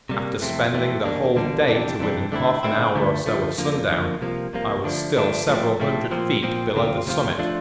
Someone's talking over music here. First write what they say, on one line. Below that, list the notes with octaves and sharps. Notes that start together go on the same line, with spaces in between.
After spending the whole day to within half an hour or so of sundown, I was still several hundred feet below the summit.
C3 G3 A#3
F2 C3 E3 A3 C4
F2 C3 E3 A3 C4
E2 D3 G3 A#3 D4
E2 D3 G3 A#3 D4
F2 C3 E3 G3 D4
F2 C3 E3 G3 D4
D3 A3 C4 E4
D3 A3 C4 E4
D2 D3 F3 A3
D2 D3 F3 A3
F2 D3 F3 A#3
F2 D3 F3 A#3
C2 C3 F3 A#3
C2 C3 F3 A#3
D3 F3 A3 D4
D3 F3 A3 D4
A2 F3 A3 C4
A2 F3 A3 C4
A#2 F3 C4
A#2 F3 C4
D2 C3 F3 C4 F4
D2 C3 F3 C4 F4
F3 A3 D4 F4